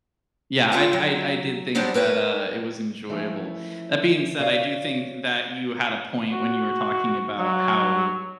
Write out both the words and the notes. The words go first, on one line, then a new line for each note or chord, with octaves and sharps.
yeah, I I I did think that, uh, it was enjoyable. That being said, I do think that you had a point when you were talking about how d
F4 A4 G5
F#3
F#3 G3 B3 D4 G4 C5
A#4 B4 C#5 G5
E3 F3 A3 C#4
F#4 C#5 D5 F5
F#4
F#3